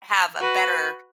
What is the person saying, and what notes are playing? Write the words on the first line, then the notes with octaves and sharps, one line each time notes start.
have a better
F#4 B4